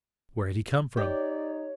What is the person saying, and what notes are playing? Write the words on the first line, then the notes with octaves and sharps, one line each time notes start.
Where had he come from?
D#4 G4 C#5 D5